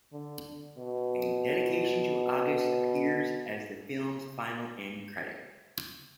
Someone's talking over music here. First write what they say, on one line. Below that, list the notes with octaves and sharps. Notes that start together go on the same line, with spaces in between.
A dedication to August appears as the film's final end credit.
D3
B2